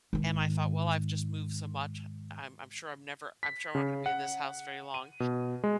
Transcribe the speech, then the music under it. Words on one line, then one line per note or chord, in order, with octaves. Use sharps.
and I thought, "Well, I've just moved so much, I'm I'm sure I'm never, I'm sure I'm not gonna be in this house very long."
G#2 D#3
B6
C#3
F#5
D#7
B2
G#3